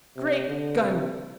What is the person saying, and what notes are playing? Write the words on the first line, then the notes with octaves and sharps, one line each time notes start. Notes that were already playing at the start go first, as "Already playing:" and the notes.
Great guns!
C3
D3
C3